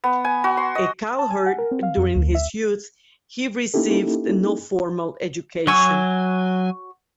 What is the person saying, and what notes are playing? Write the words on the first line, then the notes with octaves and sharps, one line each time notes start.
A cowherd during his youth, he received no formal education.
B3
G#5
F#4
C6
D#5
A5
G#5
F#5
A#4
C4
F5
F2
D2
E5
A#3 C#4 D#4 E4 G4 A4
F#3 F#4 C#5 G#5 E6